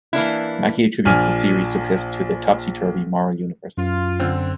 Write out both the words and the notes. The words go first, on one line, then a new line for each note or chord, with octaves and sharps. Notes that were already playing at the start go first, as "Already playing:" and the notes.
Mackey attributes the series' success to the "topsy-turvy moral universe".
E3 A#3 D4 E4
A#1 F3 D4 G#5 F6
F#2 F4
D3 C4